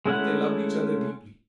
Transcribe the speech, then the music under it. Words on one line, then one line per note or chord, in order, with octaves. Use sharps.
But they loved each other deeply.
G#3 A3 C#4 E4 F#5